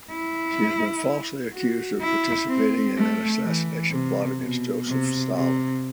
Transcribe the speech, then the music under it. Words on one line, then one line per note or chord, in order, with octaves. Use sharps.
She had been falsely accused of participating in an assassination plot against Joseph Stalin.
E4
F#4
E4
C4
A3
E3
C3
B2
C3
C3